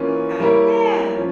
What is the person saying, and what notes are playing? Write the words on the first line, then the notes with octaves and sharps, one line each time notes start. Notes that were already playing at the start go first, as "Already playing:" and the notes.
Ma okay, yeah.
Already playing: E3 A#3 C#4 F4
G3 A#3 E4 A#4 C#5
F3 C#4 F4